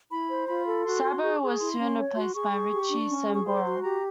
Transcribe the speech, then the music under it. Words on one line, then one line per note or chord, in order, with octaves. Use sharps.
Sabo was soon replaced by Richie Sambora.
E4 B5
C5
F4 B5
A4
F#4 C6
F#4
G#4 C#6
G#4
E4 C6
C#4
C#5
F#4 C6
G#4 C#6
G#4
G4
D4
C#4
G#4
C#6
C5 C6
F#4
G4 A#5